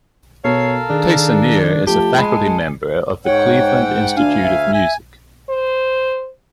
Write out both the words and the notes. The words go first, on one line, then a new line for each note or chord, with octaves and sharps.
Teissonniere is a faculty member of the Cleveland Institute of Music.
B2 A4 A#4 C#5 F5 C7
D#3 D4 G#4
F3 A3 G4 A5
G#3 G#5 B5
G#2 C#5 F#5 G5
D2 D4 F5 G#5
E5
G#5
C5